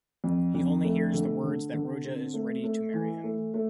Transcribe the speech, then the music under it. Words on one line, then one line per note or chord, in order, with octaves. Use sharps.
He only hears the words that Roja is ready to marry him.
F2
F2
A3
D3
D3
D3
C4
A3
A3
E3
A3
A3